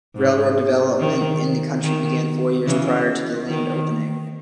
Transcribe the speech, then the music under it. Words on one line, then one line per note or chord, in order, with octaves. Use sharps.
Railroad development in the county began four years prior to the land opening.
G#2
D#3
D#3
C#3 E3
D#3